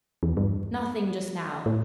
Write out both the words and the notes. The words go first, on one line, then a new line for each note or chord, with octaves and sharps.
'Nothing just now.
E2
G2
A2